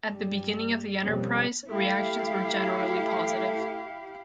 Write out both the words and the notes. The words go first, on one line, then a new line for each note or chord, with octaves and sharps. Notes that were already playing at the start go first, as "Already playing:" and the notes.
At the beginning of the enterprise, reactions were generally positive.
G2 G3
F2 B2 G3 A#3 C4 C#4
A3 E4 G4 F5